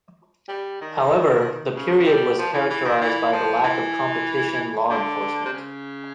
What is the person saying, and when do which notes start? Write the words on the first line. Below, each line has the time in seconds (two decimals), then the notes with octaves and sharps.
However, the period was characterized by the lack of competition law enforcement.
0.49 G3
0.81 D#3
1.74 C#3
2.06 G3
2.38 F3
2.53 E3
2.69 E3
2.85 D#3
3.01 E3
3.33 F3
3.64 E3
4.89 D3
5.45 C3
5.53 C#3